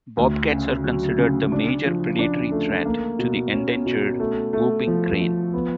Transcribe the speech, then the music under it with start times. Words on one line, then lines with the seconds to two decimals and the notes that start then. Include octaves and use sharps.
Bobcats are considered the major predatory threat to the endangered whooping crane.
0.17 D2
0.52 C#3
0.84 F#3
1.18 C#3
1.52 D4
1.85 F3
2.19 D4
2.51 A3
2.85 A#3
3.19 B2
3.53 C#4
3.86 B2
4.20 A3
4.53 A3
4.87 F3
5.20 F3
5.54 B3